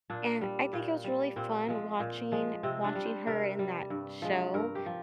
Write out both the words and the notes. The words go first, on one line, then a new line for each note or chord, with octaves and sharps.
and I think it was really fun watching watching her in that show
A#2 D4
G3
A#2
G3
A#2 C4
F3 G#3
A#2
F3 G#3
C3 C4
D4
G3
C5
C3 A#4
G3
G2
F3 G#3
G2 A#4
G4
F3